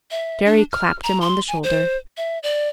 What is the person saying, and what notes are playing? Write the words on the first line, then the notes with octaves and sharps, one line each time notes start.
Jerry clapped him on the shoulder.
E5
D4
F6
A#5
C6
G#5
C5
E5
D5